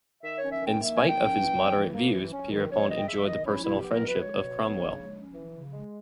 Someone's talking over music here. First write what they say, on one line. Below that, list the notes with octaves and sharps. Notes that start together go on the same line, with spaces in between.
In spite of his moderate views Pierrepont enjoyed the personal friendship of Cromwell.
D#3 E5
C#4 C#5
E5
D#3 G5
A#3 E5
D#3 G#5
G5
C#4
E3
C#4
E3
A#3
E3
C#4
D#3
C#4 C#5
D#3 D#5
G5
G#3 E5
D#3 D#5
C#4 E4
B2 E4
G4
B3
A#4
B2 B4
G#3 C#5
B2
B3
C#3
G#3
C#4
E3
C#3
G#3